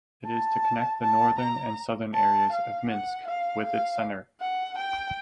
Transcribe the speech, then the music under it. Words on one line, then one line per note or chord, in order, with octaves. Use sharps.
It is to connect the northern and southern areas of Minsk with its center.
A5
A5
A#5
A5
F5
F#5
F5
F5
F#5
G5